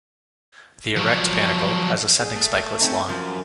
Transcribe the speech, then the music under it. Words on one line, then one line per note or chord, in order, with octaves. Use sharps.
The erect panicle has ascending spikelets long.
F3 F#3
G#4
A3
C4 C#4 D#4
F#2 F3